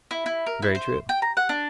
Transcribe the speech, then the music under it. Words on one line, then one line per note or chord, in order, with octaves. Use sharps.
Very true.
E4
E4
A#4
E4
C5
G5
A#5
F#5
D4